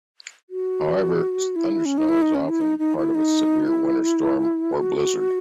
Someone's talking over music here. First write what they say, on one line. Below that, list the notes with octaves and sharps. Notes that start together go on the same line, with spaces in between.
However, thundersnow is often a part of a severe winter storm or blizzard.
F#4
E4
C#4
D#4
E4
D#4
C#4
E4
D#4
D#4
E4
D#4
E4
F#4